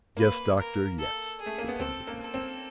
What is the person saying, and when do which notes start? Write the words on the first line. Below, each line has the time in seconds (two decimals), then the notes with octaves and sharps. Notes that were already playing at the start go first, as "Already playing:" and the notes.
"Yes, Doctor, yes," replied the captain.
0.17 A#3 B4
0.58 A#4
0.99 A4
1.40 G#4
1.46 A3
1.58 A#3
1.68 B3
1.79 C4 A4
2.07 A#3
2.21 A4
2.34 C4